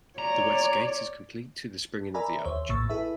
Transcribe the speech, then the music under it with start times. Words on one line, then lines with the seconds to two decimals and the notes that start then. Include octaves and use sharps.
The west gate is complete to the springing of the arch.
0.18 C#5 D5 A#5
2.14 A#4 D5 E5 G#5 A#5 B5
2.45 D#2 C5 C#5 E5
2.69 A#1 A2 A#3 C#6 E6 A6
2.89 E4 G#4 A4 B4 E5